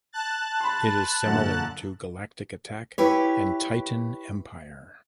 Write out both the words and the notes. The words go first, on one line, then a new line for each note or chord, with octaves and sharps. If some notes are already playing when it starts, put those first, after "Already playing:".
It is similar to "Galactic Attack" and "Titan Empire".
A5 F#6 A6
B5 C6
F#2 A#2 D3
E4 G4 B4 C#5